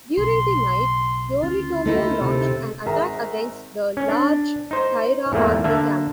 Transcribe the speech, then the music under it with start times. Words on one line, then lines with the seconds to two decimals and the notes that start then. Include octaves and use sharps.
During the night, Yoritomo launched an attack against the large Taira army camp.
0.17 B1 C#3 C6
1.42 D2 C#3 C#4 F4
1.86 A3 D#4 E4
2.21 C3 A4
2.86 G#1 G#4 A#4 E5 A#5
3.97 C#4
4.09 D4
4.71 D#4 C5
5.32 E2 G#2 A3 A#3
5.64 D3 A#3 E5 A5